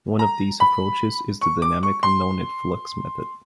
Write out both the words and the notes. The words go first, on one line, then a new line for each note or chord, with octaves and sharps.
One of these approaches is the dynamic no-net-flux method.
A#5
B5
C#6
D6
C#6
C6